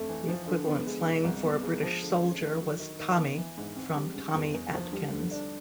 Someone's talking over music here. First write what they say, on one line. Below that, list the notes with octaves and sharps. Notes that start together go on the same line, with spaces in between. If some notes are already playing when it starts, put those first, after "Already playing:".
The equivalent slang for a British soldier was "Tommy" from Tommy Atkins.
Already playing: F2 A3
E3
F3
D3
B3
G#3
B2
C2
B3
G#3
F3
D3
C#4
A3
F#3
D#3
D#3
B3
E3
G#2
C4
G3
C#3
E2
E2
F3
G3
D3
D4